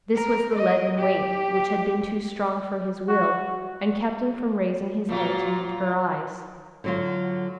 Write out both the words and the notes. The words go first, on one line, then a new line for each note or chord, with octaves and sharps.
This was the leaden weight which had been too strong for his will, and kept him from raising his head to meet her eyes.
A#4
D#5
G4
F#4
A#2 F#3 F4
D3 F#3 F4